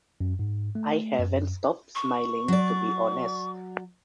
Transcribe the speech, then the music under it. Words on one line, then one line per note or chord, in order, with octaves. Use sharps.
I haven't stopped smiling to be honest.
F#2
G#2
A3
F#2
C#6
F#3 D5